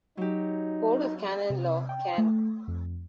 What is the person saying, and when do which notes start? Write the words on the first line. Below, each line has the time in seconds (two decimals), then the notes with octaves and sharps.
"Code of Canon Law", can.
0.17 F#3 D#4 G4
1.50 C3
1.89 G5
2.18 A3
2.68 F2